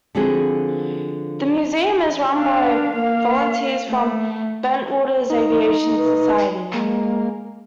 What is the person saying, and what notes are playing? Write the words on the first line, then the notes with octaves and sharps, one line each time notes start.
The museum is run by volunteers from Bentwaters Aviation Society.
D3 F3 B3 C4 F#4 G#4
D4 F5
A#3 F5
A3
D#4
B4
G#3 A#3